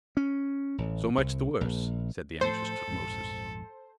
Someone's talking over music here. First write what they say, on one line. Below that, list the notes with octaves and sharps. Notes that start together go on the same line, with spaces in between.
"So much the worse," said the anxious Tutmosis.
C#4
A1
C2
A#1
A2 F3 A3 A4 C5
A#1 F2 G#2